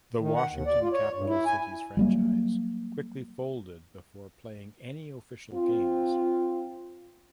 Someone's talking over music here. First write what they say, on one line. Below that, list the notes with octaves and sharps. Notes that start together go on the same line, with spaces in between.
The Washington Capital Citys franchise quickly folded before playing any official games.
D#3
F#5
D#2
D5
F4
C#5
G2
E4
G#5
F#3 G3 A#3
C4 F4